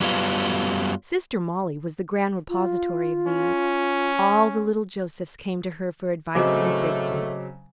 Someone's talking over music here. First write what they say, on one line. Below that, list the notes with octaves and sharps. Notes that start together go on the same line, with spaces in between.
Sister Mollie was the grand repository of these; all the little Josephs came to her for advice and assistance.
F#2 F#3 G3 B3 F4
F4
C#4
A2 C#3 F#3 A3 C4 D#5 D6